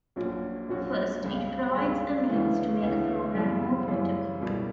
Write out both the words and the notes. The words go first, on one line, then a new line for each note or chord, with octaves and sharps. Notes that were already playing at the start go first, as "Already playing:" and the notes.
First, it provides a means to make a program more portable.
A#1 A#2 F#3 C#4 F#4
A#1 A#2 F#3 C#4 F#4
C#2 C#3 G3
C#2 C#3 G3
D2 C#3 E3 B3 E4
D2 C#3 E3 B3 E4
F#2 C#3 E3 G3
F#2 C#3 E3 G3
C#2 B2 G3 A#3 E4